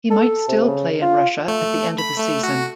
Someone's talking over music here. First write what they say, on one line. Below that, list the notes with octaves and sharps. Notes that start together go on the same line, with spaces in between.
He might still play in Russia at the end of the season.
A4
C3
C#3
F4
A3
B5
A3
F#4